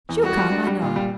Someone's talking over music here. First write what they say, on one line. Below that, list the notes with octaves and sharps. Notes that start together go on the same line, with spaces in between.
She'll come, I know.
E2
G3 F#4
G3
D4
G3
A#2 F4
G3